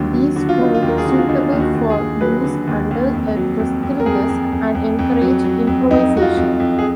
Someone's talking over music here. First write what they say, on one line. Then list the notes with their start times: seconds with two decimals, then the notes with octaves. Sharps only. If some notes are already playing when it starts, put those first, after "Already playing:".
These proved suitable for use under a trestle desk and encouraged improvisation.
Already playing: D#2 D3 F#3
0.14 F#3
0.36 D3 F#4
0.49 F4
0.60 F#3 D#4
0.74 F4
0.83 D#2
0.88 A#4
0.98 G#4
1.05 D3 F#4
1.18 F4
1.29 D3 D#4
1.52 D#2
1.60 F#4
1.75 D#2
1.90 G#4
1.98 D#2
2.21 F#3 B4
2.44 D3
2.67 D#2
2.91 D#2
3.13 F2
3.37 F#3
3.60 F2
3.83 F2
4.00 A#4
4.06 F2 G#4
4.29 F2
4.52 F2
4.75 F2
4.99 F2
5.21 F#3
5.44 F#3
5.67 F2
5.91 F2 D#4
6.14 F2 F#4
6.22 F4
6.37 F2
6.60 F2
6.79 G#4